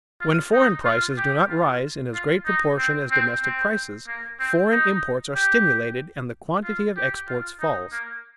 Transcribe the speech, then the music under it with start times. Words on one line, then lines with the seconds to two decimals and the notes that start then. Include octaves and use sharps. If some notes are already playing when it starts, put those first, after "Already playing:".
When foreign prices do not rise in as great proportion as domestic prices, foreign imports are stimulated and the quantity of exports falls.
0.21 F4
0.53 D#4
0.85 F4
1.17 G4
1.49 F4
2.14 F4
2.46 D#4
2.78 C4
3.11 C4
3.42 C4
4.07 A#3
4.40 C4
4.71 D#4
5.36 G4
6.64 F4
6.96 G4
7.28 F4
7.61 D#4
7.92 A#3